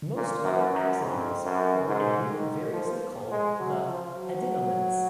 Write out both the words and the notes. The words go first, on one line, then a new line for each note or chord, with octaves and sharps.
Most other axodines form a group variously called the pedinellids.
A#2
F#2
F#2
F2
F#2
G#2
D#3
F3
G#3
F#3
F3
F#3